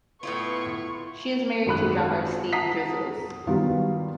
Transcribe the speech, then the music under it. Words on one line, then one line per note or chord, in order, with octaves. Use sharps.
She is married to drummer Steve Drizos.
A2 B3 E4 F4 B4 C#6
G#1 F#2 B5 F#6
F#5 A5 A#5 D#6 B6 C7
G2 D#3 F#3 G3 B3 F4